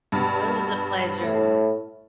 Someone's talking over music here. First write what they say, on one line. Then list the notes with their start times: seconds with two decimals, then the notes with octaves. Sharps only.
Oh, it was a pleasure.
0.12 G2 B2
1.22 A2